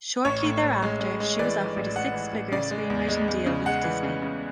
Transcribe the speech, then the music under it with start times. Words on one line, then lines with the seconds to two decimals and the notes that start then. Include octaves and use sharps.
Shortly thereafter, she was offered a six-figure screenwriting deal with Disney.
0.25 A1 C#5
0.44 A2
0.62 A2
0.82 G#3
1.01 G#3
1.20 G#3
1.39 E3 D5
1.58 E3
1.77 A1
1.96 G#3 F#5
2.14 E3
2.33 A1
2.52 C#3 D5
2.71 G#3
2.90 E2
3.09 G#3
3.28 E2
3.46 C#3
3.66 G#3 F#5
3.84 E3
4.03 C#3
4.22 C#3